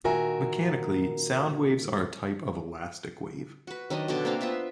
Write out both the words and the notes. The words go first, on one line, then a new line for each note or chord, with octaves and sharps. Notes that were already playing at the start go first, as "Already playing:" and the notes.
Mechanically, sound waves are a type of elastic wave.
A#2 D#3 F#4 A#4 E5 G#5
F#4 B4
D#3 F#3 D4 D#5
B2 D3 D4 D5
A#3 C4 D4 F5
B3 F4 E5 C6